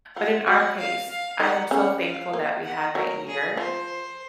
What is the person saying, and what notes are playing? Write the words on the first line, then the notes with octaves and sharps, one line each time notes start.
But in our case, I am so thankful that we had that year
F3 F4 F#5
F#3 F#4 F#5
F5
F5
D#3 D#4 F#5
C#3 C#4 F#5
F5
A#3
F#5
F#3 A#4
G#4
F3 C5